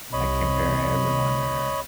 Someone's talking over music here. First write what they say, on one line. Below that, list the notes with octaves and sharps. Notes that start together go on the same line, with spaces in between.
I compare everyone to her,
C2 C#5 D#5 B5